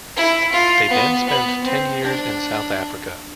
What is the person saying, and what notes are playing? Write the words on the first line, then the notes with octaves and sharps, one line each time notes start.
They then spent ten years in South Africa.
E4
F4
B3
B3
C4
D4